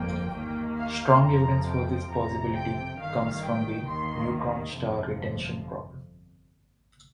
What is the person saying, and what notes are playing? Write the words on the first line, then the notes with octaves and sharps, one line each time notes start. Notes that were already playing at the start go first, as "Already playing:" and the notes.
Strong evidence for this possibility comes from the "neutron star retention problem".
Already playing: G1 F2 F3 A#3 G5
D#2 D#3 A#3
F5
F2 C3 F3 A#5
G5
G1 F2 C3 A#5
G5
G1 G2 D#3 F5
G5
D#2 D#3 A#3 C6
G1 F2 C3 F3